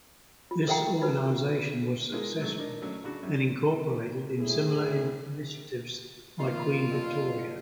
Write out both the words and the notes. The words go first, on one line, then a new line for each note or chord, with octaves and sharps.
This organisation was successful and incorporated in similar initiatives by Queen Victoria.
F4
A4 A#4 E5 F#5 G5 A#5
D#4 F4 F#4 A4 B4
G#3 D4 E4 F4 G#4 A#4
G#2 F#3 A3
D4 D#4 A#4
F#3 A3 C#4 D4
C#3 D4 F#4
F#2 F#3
D2 A2 C3 E4 G#4
G2 A#2 D#3 F4
F2 D3 F#3